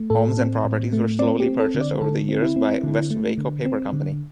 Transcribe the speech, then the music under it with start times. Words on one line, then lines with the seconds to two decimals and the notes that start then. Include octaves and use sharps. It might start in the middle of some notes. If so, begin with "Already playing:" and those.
Homes and properties were slowly purchased over the years by Westvaco paper company.
Already playing: A3
0.10 A2 A4
0.37 C4
0.65 A2
0.93 A3
1.19 C4 D5
1.40 G4
1.46 C4
1.60 A4
1.75 D3
1.81 D5
2.01 D3 A4
2.29 C4
2.42 E4
2.56 C4
2.84 D3
3.10 A3
3.38 D3
3.65 C4
3.93 D3